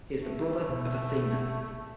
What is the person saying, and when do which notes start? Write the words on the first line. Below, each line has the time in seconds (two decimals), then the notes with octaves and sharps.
He is the brother of Athena.
0.21 A3
0.69 B2